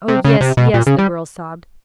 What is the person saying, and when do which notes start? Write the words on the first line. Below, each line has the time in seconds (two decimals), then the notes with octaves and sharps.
"Oh, yes, yes," the girl sobbed.
0.08 C3
0.25 C#3
0.41 C3
0.57 B2
0.74 A#2
0.87 C#3
0.98 G3